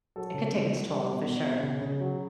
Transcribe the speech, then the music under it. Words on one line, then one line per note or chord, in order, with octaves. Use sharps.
it could take its toll for sure.
F#3 A4
C#3
C#3
F#3
G3
B2
B2
B2
C#3
C#3
F#3